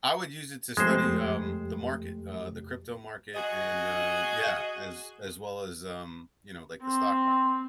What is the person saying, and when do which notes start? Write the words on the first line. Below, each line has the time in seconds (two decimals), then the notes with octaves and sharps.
I would use it to study, um, the market, uh, the crypto market and, um, yeah, as as well as, um, you know, like, the stock market,
0.77 F2 G#3 A3 G4 C5
3.35 F#4 G#4 D#5
6.82 C4